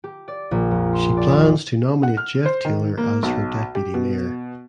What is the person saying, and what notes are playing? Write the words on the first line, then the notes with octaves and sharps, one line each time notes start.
She plans to nominate Geoff Taylor as her deputy mayor.
G4
D5
A#1
F2
C6
D5
F#5
F6
C5
D#3
A#3
B1
G4
B2